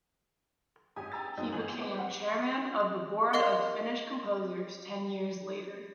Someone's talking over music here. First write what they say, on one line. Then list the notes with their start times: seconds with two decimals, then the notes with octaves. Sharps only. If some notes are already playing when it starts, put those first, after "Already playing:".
He became chairman of the board of Finnish Composers ten years later.
0.96 G#1 G4 G#5 D#6
1.12 G5 G#5 A#5 E6 A6
1.37 G#2 B2 F#3 C4 D#4
1.52 G1 E3 G#3 G#5 F#7
1.78 B3 C4 D6
1.94 G3 C4 F#5
3.33 A#4 D#5 F5 C6